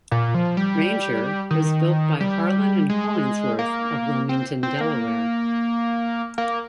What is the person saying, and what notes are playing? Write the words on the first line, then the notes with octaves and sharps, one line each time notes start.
"Ranger" was built by Harlan and Hollingsworth of Wilmington, Delaware.
A#2
F3
G3
D#3
G3
G#3
A#3
C4
C4
A#3
A#3